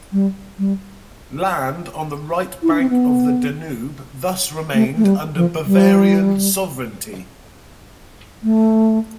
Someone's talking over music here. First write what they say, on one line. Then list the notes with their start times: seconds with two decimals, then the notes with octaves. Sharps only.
Land on the right bank of the Danube thus remained under Bavarian sovereignty.
0.12 G3
0.59 G3
2.63 E4
2.71 D4
2.80 C4
2.90 B3
4.74 A3
4.97 A3
5.04 G3
5.36 F3
5.66 G3
8.43 A3